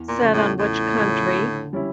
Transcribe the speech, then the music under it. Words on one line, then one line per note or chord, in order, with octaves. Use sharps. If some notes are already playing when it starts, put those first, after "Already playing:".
set on which country,
Already playing: E2
A#2
C#3 F3 C#4
A2
E2 A2
C#3 F3 C#4
D3
G3 C#4 E4